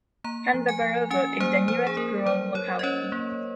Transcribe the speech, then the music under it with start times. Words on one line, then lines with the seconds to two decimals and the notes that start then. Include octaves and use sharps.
Kandabarovo is the nearest rural locality.
0.24 A#3 A#5
0.54 F3
0.69 G#5
0.82 F3
1.11 C#4 G#5
1.40 A#3 C5
1.68 F3 C5
1.87 G#4
1.97 A#3 A#4
2.26 F#3 C5
2.55 F#3 C#5
2.79 D#5
2.83 C#4 C#5
3.12 A#3